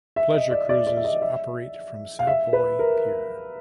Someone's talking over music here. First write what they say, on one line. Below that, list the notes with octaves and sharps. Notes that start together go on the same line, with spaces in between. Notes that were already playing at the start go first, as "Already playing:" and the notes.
Pleasure cruises operate from Savoy Pier.
E5
D#5
D5
D5
D5
E5
D#5
E5
F5
E5
B4
A#4